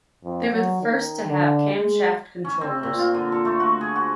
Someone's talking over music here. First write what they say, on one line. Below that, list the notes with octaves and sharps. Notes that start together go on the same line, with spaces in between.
They were the first to have camshaft controllers.
F2
F#3
D#3
D3
G#3
C#4
C4
A#2
F4
D3
A4
A3
F#4
G#4
F#4